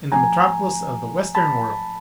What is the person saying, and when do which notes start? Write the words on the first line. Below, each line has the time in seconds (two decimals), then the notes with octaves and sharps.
In the metropolis of the western world!
0.12 G#2 F3 A3 G#5 A#5
1.35 A5 B5